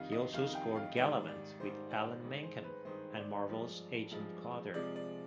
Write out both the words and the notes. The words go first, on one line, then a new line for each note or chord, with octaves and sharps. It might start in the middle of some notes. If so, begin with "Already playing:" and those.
He also scored "Galavant" with Alan Menken and Marvel's "Agent Carter".
Already playing: F2 D#3 G3 D#5 F5
D#5
F2 D#3 G3 F5
G5
F5
G#2 D#3 G3 D5
D5
G#2 D#3 G3 C5
D5
G2 D#3 G#3
C5
B4
G2 D#3 G#3 C5
D5
G2 F3 G#3
G2 F3 G#3
C3 F3 G#3 D5
D5